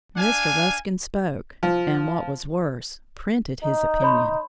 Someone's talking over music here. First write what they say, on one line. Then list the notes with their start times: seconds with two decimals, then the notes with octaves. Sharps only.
Mr. Ruskin spoke, and what was worse, printed his opinion.
0.17 D4 F5 G#5
1.63 F3
3.64 D#4
4.02 C#5 B5 C6